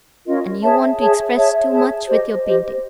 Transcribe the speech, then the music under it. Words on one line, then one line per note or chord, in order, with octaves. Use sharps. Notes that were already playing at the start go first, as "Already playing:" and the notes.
And you want to express too much with your painting.
C#4 F4 A#4 D#5
G#4 C#5 E5 A5
G#4 C#5 E5 A5
G#4 C#5 E5 A5
G#4 C#5 E5 A5
G4 C5 D#5
G4 C5 D#5